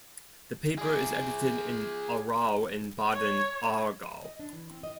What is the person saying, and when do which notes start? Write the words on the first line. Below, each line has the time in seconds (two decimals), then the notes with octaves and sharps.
The paper is edited in Aarau and Baden, Aargau.
0.78 G#4 D5
3.14 C#5
4.24 D#5
4.40 D4
4.53 E3
4.71 C4
4.83 D#5